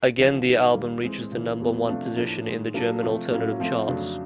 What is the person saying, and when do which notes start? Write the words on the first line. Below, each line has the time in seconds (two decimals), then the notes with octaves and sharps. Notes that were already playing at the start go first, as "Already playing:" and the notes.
Again the album reaches the number one position in the German Alternative Charts.
0.18 D#2 D3 F3
0.46 G#2 D#3 F#3
0.74 D#2 D#3 G3 A#3
1.04 E3 G#3 C4
1.31 C#2 C#3 E3
1.60 E2 B2 F#3 B3
1.88 C3 F3 A3 D4 F4
2.17 A2 F3 A#3 D4
2.46 G#2 D#3 G#3
2.74 F#3 A#3 D4 F4 A4
3.02 C3 F3 A3
3.31 A2 F#3 A#3 C#4 F4
3.60 F3 A3 C4 F4
3.88 F2 C#3 F#3 A3 D4